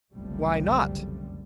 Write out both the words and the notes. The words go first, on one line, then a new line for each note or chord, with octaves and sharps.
Why not?
F#1 C2 F2 D3 G3 A3